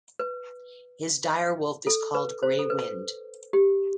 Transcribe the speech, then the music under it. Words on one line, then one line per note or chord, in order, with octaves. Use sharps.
His dire wolf is called Grey Wind.
B4
A4
B4
C5
A4
B4
G4